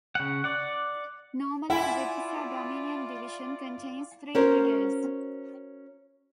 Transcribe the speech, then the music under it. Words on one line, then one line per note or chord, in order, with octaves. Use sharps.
Normally a British or dominion division contains three brigades.
C#3 F#5
D5 F#5
E4 F4 D5 F#5 G#5
C#4 F#4 A#4 C5 C#5